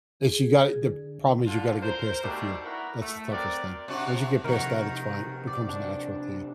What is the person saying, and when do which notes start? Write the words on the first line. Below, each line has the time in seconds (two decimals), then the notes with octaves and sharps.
this you got the problem is you gotta get past the fear; that's the toughest thing. Once you get past that, it's fine, becomes natural to you.
0.23 G#4
0.82 D3
1.47 D3 F4
1.82 A#4 C5
2.22 B2 D#3 G3 A3 D4
2.64 B3 E4 F#4 A#4
3.01 A3
3.31 F#3 C4 A#4 D5
3.88 C3 D4 F#4
4.44 C3 D#3 F3 A#3 F#4 A#4
5.47 D5
5.68 D4